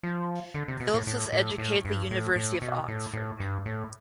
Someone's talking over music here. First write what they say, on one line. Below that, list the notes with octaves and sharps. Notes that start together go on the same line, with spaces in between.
Phillips was educated at the University of Oxford.
F3
D3
C3
B2
A2
A2
A2
A2
G2
A2
A2
B2
A2
A2
G2
A2